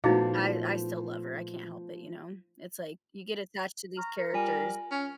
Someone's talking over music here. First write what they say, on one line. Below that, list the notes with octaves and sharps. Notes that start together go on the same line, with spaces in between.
I I still love her, I can't help it, you know, it's like you get attached to these characters.
A#2 F3 A3 B3 D#4 E4 F#4 F5
A#5 C#6 F6
A#4 C#7
G3 F4 G#5 D#7
C#4